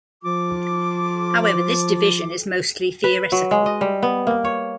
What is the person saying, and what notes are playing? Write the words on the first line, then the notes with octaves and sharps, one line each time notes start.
However, this division is mostly theoretical.
F3 F4 D6
B4
F#3
G#3
D#5
G3
B3
A#3
C#5